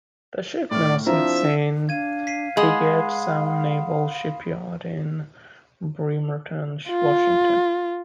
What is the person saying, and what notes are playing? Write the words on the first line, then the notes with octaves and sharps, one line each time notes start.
The ship now sits in Puget Sound Naval Shipyard in Bremerton, Washington.
A2 D5 F6
F3 C4 D4 E4 E5 A#5
D4 F5 G#6 D#7
B6 C7 D#7
G#3 F#5 B5 C6 D#6
F4